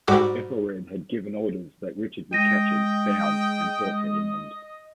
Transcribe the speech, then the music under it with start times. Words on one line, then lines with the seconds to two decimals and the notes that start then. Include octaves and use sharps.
Ethelred had given orders that Richard be captured, bound and brought to England.
0.07 G#2 G3 F#4 D6 E6
2.33 G#3 D#5 G5 A#6 D#7